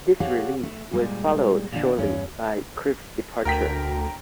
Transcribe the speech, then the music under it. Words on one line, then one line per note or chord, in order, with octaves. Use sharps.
This release was followed shortly by Crypt's departure.
G4 G#4 C#5 F5 F#5
A3
A#2 G3 G#3
A#2 D3 D4
E2 G2 C#4
D2 A#4 G5 B6